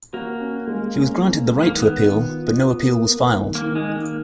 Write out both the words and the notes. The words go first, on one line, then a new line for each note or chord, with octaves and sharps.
He was granted the right to appeal, but no appeal was filed.
A#3 F#4
C#4
G#3
C#4
C#4
G#3
A#3
D#3 B3
D#3
F4
F4
A#3
A#3
D#3
A#3
D#3
G#3
D#3
A#3